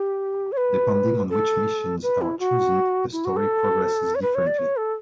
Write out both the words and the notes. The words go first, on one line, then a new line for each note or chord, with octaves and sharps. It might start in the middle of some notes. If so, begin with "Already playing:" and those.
Depending on which missions are chosen, the story progresses differently.
Already playing: G4
C#5
B4
A4
B4
E4
F#4
E4
F#4
A4
C#5
B4
C#5
D5
C#5
A4